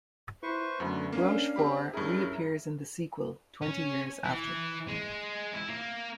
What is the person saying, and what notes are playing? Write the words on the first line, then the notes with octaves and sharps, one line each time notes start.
Rochefort reappears in the sequel, "Twenty Years After".
E4 B4 C5 C#6
F#2 D3 A3 B3
A#3 C#4 D4 F5
C4 G4 B5
G2 C#4 E4 G#4 A#4
C#4
E3
G#3
E4
A#3